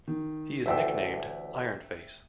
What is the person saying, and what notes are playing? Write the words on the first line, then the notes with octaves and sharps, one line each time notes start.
He is nicknamed "Iron Face".
D#3
A1 D2 E5 G5 E6